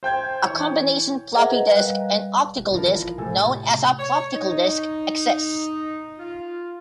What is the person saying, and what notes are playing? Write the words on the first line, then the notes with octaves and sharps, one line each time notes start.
A combination floppy disk and optical disc, known as a Floptical disk exists.
C5 G5 G6 G#6
E3 C#5
G#4 A#4 C5 D#5 E5 F#5
B4 A#5
G3 D#5 F5 F#6
D#1
G#1 E3 F3 A#4
A2 C3 A4 G#5
C#5
D#4
F4